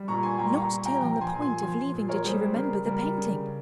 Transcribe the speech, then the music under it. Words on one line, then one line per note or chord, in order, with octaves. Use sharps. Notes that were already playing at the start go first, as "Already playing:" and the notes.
Not till on the point of leaving did she remember the painting.
Already playing: G3
A#2 A#5 C#6
G#5 C6
G3 G5 A#5
A#5 C#6
A#2
G5 A#5
F3 G5 A#5
G#5 C6
A#2
G#5 C6
F3 G#5 C6
A#2
A#4 C#5
G3 G#4 C5
C#3 A#4
G3 A#4
C#3